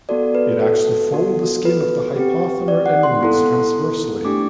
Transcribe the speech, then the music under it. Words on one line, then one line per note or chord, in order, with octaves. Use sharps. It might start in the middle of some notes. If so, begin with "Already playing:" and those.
It acts to fold the skin of the hypothenar eminence transversally.
B3 F#4 A4 D5
B4
A4
B3 F#4 A4
B4
C4 G4
D5
F#5
C6
B3 E4 A4
A3 D4 G4 D6